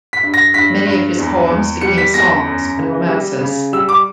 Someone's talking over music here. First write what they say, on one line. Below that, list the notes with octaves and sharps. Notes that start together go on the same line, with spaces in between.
Many of his poems became songs and romances.
B6
G2
A#6
G2 B6
G2
E2
E2
G3 C#7
B6
E2 A#6
F#2
C#3
G3
C#3
G3 E6
D6